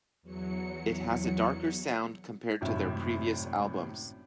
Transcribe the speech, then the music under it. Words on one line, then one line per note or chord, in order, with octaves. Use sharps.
It has a darker sound compared to their previous albums.
E2 F#3 C#7
G#1 F#2 A2 C3 E5